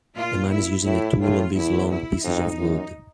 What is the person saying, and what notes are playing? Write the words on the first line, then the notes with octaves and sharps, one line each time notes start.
A man is using a tool on these long pieces of wood.
A#2 F4
E4
A2 E4
A2 F4
E2 E4
E4
F2 D#4
F#2